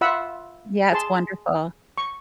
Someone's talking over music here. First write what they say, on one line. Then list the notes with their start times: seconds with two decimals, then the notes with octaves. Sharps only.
Yeah, it's wonderful.
0.01 F4 E5 F#5 B5 E6
0.92 G#4 A5 C6
1.98 C#6